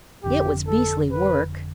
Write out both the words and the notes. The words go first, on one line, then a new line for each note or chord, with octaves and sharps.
It was beastly work!
G1 F2 D3 G4
A4
B4